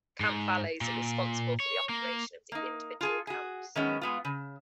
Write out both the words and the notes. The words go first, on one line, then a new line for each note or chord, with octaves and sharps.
Camp valets are responsible for the operation of the individual camps.
G#2
A#2
C#5
A#3
A#3 D#4
F4 G#4 A4
F#4 G#4
D#3 F#3 G#3 B3 C#4
G#3 B3 F4
C#3